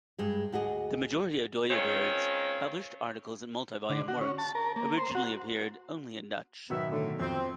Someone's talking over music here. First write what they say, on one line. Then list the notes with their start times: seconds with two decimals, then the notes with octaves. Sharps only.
The majority of Dooyeweerd's published articles and multi-volume works originally appeared only in Dutch.
0.19 G2 G#3 G#4
0.52 D2 F#4 G#4 D#5
1.70 D#3 G#3 C4 C#4 F4 C#5
3.90 D3
4.08 F#4
4.21 C#4
4.38 A5
4.55 A#4
4.76 A#3
4.97 C5
5.15 F#4
6.70 B2 D#3 F#3 B3 E5
6.91 A2 D3
7.20 F2 C4